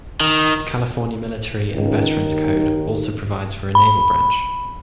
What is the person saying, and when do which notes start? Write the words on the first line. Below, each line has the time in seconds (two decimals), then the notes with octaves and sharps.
The California Military and Veterans Code also provides for a naval branch.
0.21 D#3
1.73 C#2 D#3
2.17 D#2
3.75 B5